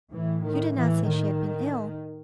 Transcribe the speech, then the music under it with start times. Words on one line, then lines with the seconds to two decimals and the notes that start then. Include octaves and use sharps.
'You did not say she had been ill?'
0.12 A2 E3
0.44 D#3
0.76 E3
1.07 D#3